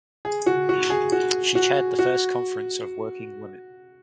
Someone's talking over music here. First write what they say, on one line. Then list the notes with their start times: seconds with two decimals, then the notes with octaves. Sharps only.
She chaired the First Conference of Working Women.
0.25 G#4
0.46 F#4
0.69 F#4
0.90 G#4
1.12 F#4
1.55 F#4
1.99 F#4